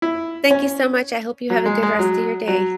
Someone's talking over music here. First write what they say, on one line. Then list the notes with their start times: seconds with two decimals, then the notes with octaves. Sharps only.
thank you so much, I hope you have a good rest of your day.
0.02 E4
0.51 C#4
1.50 F#3
1.66 G#3
1.83 G#3
1.99 F#3
2.48 F#3